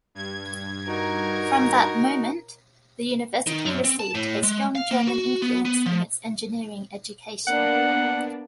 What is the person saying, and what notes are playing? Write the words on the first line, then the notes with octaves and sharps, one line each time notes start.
From that moment, the university received a strong German influence in its engineering education.
G2 G#6
D#4 F#4 A#4
D#3
F#2
C4
A5
A2
G#3
F5
A#3
F#4
B3
B3
F3
A#3 B3 D4 F#5